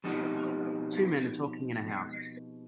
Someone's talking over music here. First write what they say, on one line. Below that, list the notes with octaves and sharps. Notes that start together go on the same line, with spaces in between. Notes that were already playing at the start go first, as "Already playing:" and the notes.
Two men are talking in a house.
B2 F3 C4 D#4 G4 F#5